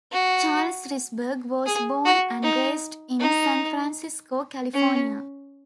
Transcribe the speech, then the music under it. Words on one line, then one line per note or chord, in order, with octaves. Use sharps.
Charles Risberg was born and raised in San Francisco, California.
F#4
G#4
F#4
D#4
D#4
C#4